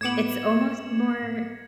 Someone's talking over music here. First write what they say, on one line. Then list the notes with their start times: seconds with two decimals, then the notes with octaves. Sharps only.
it's almost more
0.01 A2 B3 D6 G#6 C#7 E7 F#7